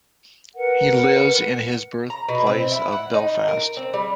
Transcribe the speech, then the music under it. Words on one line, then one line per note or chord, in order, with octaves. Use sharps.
He lives in his birthplace of Belfast.
A#4 B4 F#5
A#5
B2
C4
E4
F#5
D#4
A#4
C4
G3